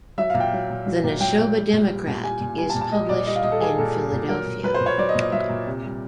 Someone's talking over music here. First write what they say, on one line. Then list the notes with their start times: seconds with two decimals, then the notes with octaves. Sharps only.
"The Neshoba Democrat" is published in Philadelphia.
0.18 F#3 E5
0.30 A#2 F5
0.40 G5
0.53 F#3
0.70 A#2
0.86 F#3
1.04 A#2
1.20 F#3 G5
1.38 A#2
1.56 G3
1.73 A#2
1.89 G3
2.07 A#2
2.23 G3 G#5
2.41 A#2
2.58 G3 G#5
2.70 A5
2.75 A#2
2.81 A5
2.92 G3 D#5
3.09 A#2 D5
3.27 G3 D#5
3.35 F5
3.43 A#2 D#5
3.52 A4
3.61 G3 G#4
3.78 A#2 A4
3.94 G3
4.12 A#2
4.29 F#3 A#4
4.47 A#2
4.63 F#3 B4
4.74 C5
4.81 A#2
4.86 C#5
4.98 F#3 D5
5.09 D#5
5.15 A#2
5.21 D#5
5.32 F#3 E5
5.49 A#2
5.66 C3
5.84 G3